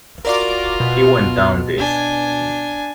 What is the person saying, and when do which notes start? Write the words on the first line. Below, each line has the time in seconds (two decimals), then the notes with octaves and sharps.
He went down this.
0.25 F4 F#4 A#4 D5 D6
0.80 B2
1.77 D4 G#5